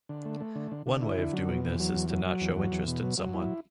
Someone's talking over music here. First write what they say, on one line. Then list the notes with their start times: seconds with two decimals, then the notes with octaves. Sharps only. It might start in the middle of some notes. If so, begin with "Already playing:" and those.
One way of doing this is to not show interest in someone.
0.09 D3
0.25 A3
0.40 A3
0.56 D3
0.72 D3
0.87 D3
1.02 E4
1.17 D3
1.33 F#3
1.48 B2
1.64 E2
1.79 F#3
1.94 E2
2.10 F#3
2.26 F#3
2.41 E2
2.56 F#3
2.72 E2
2.87 B2
3.02 F#3
3.18 F#3
3.34 E4